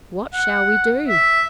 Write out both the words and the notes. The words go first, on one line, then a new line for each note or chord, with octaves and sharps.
What shall we do?
F#5
E5